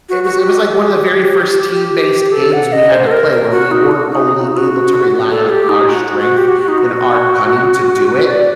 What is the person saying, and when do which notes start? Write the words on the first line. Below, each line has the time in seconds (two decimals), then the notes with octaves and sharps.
it was it was, like, one of the very first team-based games we had to play where we weren't only able to rely on our strength and our cunning to do it,
0.09 F#4
0.24 F#4
0.38 G4
1.72 G4
2.32 A4
2.52 F#5
2.72 D#5
2.91 C5
3.06 A4
3.11 A#4
3.31 A#4
3.51 F#4
3.71 D#4
3.91 F#4
4.11 D#4
4.40 F#4
4.48 D#4
4.57 F#4
5.30 A4
5.49 G4
5.69 D#4
5.89 F#4
6.19 F#4
6.37 G4
6.48 F#4
6.68 D#4
6.78 F#4
8.27 D5